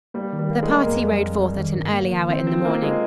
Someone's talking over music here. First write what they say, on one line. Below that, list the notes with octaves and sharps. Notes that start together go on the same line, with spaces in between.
The party rode forth at an early hour in the morning.
G3 A#3
D#3
G3
A#3
G#3
A#4
F2 A#3
G3
F2
G3
D#3
G2
A#3
D#3
D#3 C4
C4 F4
A#3 C#4
G#3 F4